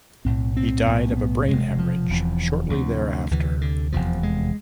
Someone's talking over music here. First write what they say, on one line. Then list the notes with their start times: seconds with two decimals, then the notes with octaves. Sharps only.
He died of a brain haemorrhage shortly thereafter.
0.25 B1 A2 C4
0.57 C4
0.86 B1 A2 B3
1.12 C4
1.17 B3
1.48 E1 E2 C3 G#3
1.79 F3
2.09 E1 E2 C3
2.70 D2 C3
3.31 D2 C3 E3
3.61 D3
3.92 F1 E2 C3 F3
4.23 G#3